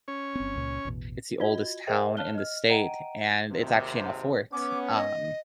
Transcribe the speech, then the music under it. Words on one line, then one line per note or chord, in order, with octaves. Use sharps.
it's the oldest town in the state and it's actually in a fort, um
C#4 C#5
G1 C4
C#2 A#2
A1 E2 B2
F4 F#4 D#5 G#6 G7
G#4 A#4 C5 D#5 E5 G5
C#5 F5 A5 F6 F#6 G7
D#5 F6
D#5 F#5 G5 A#5 D7 D#7
G#1 D#2 C3
B3 C#4 D6
D#5